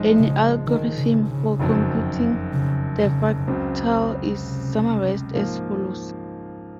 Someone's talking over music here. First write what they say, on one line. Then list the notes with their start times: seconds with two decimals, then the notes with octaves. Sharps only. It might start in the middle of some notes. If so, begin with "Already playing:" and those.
An algorithm, for computing the fractal is summarized as follows.
Already playing: A#1 G#2 F3 G#3 D#4
0.19 C#3
0.67 D#3
0.98 C#3
1.28 C#3
1.60 F#1 F2 D#3 F#3 C4
2.53 C#3
3.00 C#3
3.47 C#2 C#3 F#3 C4
4.41 C3
5.34 G#2 F3 A#3